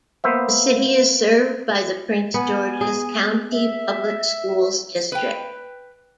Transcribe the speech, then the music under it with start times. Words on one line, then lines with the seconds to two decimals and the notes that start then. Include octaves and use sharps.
The city is served by the Prince George's County Public Schools district.
0.24 A#3 B3 C5 E5
2.34 B3 G#5
2.81 G#4
3.52 E5
5.12 B4 G5